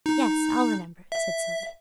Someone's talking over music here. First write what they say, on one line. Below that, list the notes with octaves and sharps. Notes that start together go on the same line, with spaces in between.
"Yes, I'll remember," said Sylvie.
D#4
E5